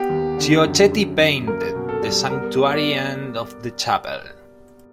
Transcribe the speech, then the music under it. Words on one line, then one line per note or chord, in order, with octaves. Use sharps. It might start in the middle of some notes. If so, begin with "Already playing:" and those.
Chiocchetti painted the sanctuary end of the chapel.
Already playing: B3 G4
D#2
D3
F#2
F#2
F#2
A#3 A#4
B2
A4
G3
B3 A#4
B3
D5